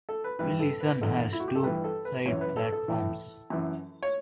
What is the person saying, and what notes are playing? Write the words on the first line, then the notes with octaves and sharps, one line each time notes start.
Willison has two side platforms.
A4
B4
G2 E3 B4
A4
B4
E2 D3 A4
E4
F#4
G4
A4
G2 E3 B4
A4
B4
F#2 E3 C#5
B4
A4
A4
A2 E3
F#2 E3
C#5